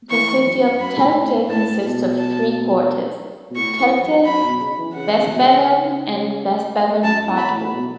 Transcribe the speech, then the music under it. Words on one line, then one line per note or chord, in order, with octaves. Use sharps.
The city of Telgte consists of three quarters: Telgte, Westbevern and Westbevern Vadrup.
E3 C#6
F#2
F#2 B5
A2
A2 A5
B2
A5
B2
A2 C#6
E2
F#2
F#2 B5
B2
C#3
E3
C#3 F#5
C#3
B2
C#3
F#2 A5
E2
B5
A2
B2